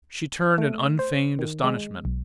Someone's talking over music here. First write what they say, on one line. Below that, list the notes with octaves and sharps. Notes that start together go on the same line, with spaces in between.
She turned in unfeigned astonishment.
A3
C5
D#3
G#3
B1